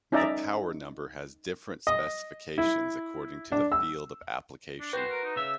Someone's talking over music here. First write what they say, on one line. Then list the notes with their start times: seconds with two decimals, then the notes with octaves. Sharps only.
The power-number has different specifications according to the field of application.
0.12 C#4 D#4 D5 E5 A#5
1.87 D#5
2.58 E4
3.52 D4
3.72 E6
4.80 D4
4.93 F#4 B4 C5 G5
5.10 A#4
5.24 D#4
5.36 C#3 E5 E6